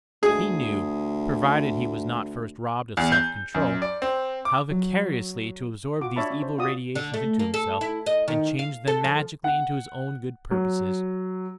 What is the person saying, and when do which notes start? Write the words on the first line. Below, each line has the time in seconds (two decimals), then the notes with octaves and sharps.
He knew--provided he was not first robbed of self-control--how vicariously to absorb these evil radiations into himself and change them magically into his own good purposes.
0.23 D2 G#4
2.97 E2
3.12 G6
3.54 F#2
3.82 D5
4.02 C4
4.45 D6
4.70 F#3
6.01 F4 F#4 D6
6.16 D4 C#5 E5 A5 B5
6.31 C#4
6.42 C5
6.58 F4 F#4 D5 D#6
6.95 D3
7.14 A3
7.39 A#3
7.54 A4
7.81 E4
8.06 D#5
8.28 D#3
8.59 F5
8.88 A4
9.04 F3
9.44 F#5
10.51 F#3